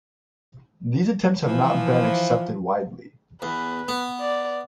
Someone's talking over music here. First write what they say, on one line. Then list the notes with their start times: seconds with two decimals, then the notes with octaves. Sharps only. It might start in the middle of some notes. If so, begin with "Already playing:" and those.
These attempts have not been accepted widely.
1.47 E3 F3
3.42 E2 B4
3.88 B3
4.20 D5